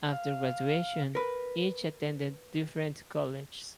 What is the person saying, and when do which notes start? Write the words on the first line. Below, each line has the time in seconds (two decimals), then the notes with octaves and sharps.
After graduation, each attended different colleges.
0.13 F5
1.15 A#4 B4